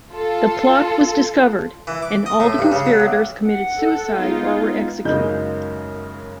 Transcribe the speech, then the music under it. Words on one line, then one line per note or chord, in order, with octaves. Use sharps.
The plot was discovered, and all the conspirators committed suicide or were executed.
F4 A4
E3
D6
D#5
A2
G2
C#3
F#3
B1
F#5
A4
G#3 B3 D#4 F4
B3
F#2 C#3 G#3 A#3 D#4 G6